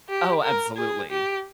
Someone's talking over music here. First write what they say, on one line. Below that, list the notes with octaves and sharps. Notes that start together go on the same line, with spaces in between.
Oh, absolutely.
G4
A#4
G#4
G4